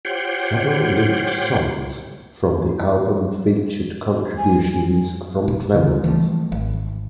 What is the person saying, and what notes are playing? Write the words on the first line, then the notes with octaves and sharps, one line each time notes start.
Several leaked songs from the album featured contributions from Clemons.
F4 G4 C5 C#5 F#5 G5
G#5
A#2
C#3 C4
E3 F3 G3 A3
G#1